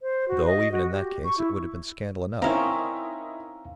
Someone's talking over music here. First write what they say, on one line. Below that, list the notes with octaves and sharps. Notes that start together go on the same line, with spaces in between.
Though, even in that case, it would have been scandal enough.
C5
F#4
D#5
F#4
G4
C#6
E4
C4 C#4 D#4 E4 A#4 F5 A#5